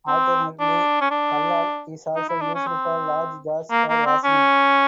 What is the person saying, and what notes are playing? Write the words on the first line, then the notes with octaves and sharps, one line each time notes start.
Alternatively, "kallal" is also used for large jars for washing.
C4
D4
C#4
D4
D#4
E4
D4
C#4
C4
A#3
A#3
C4
C#4